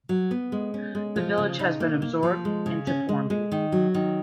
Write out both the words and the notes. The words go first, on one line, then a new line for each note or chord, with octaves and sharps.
The village has been absorbed into Formby.
F#3
B3
G#3
C#4
G#3
F3
C#3
D#4
A#3
A#3
F3
G#3
C#3
C#4
G#3
G#3
D#3
F#3
D#3